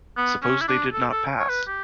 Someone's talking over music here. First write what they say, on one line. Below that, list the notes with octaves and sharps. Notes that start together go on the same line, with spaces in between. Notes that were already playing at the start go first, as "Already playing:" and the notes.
Suppose they did not pass!
B3
C#4
E4
D4
A4
A4
C#5
B4
G4